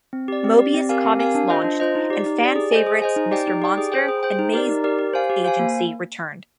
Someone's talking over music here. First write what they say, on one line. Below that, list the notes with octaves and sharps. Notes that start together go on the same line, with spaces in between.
Moebius Comics launched and fan favorites "Mr. Monster" and "Maze Agency" returned.
C4
G4 D5
C4
G4 D5
C4
G4 A#4 F5 G#5
C4
G4 A#4 F5 G#5
D4
F4 C5 D#5
D4
F4 C5 D#5
D#4
G4 D5
D#4
G4 D5
G#4
C5 D#5 G#5
G#4
C5 D#5 G#5
D#4
G4 D5 G5
D#4
G4 D5 G5
G#4
C5 G5
G#4
C5 G5
D#4
G4 A#4 D5
D#4
G4 A#4 D5
G4
C5 F5 G#5
G4
C5 F5 G#5
A#3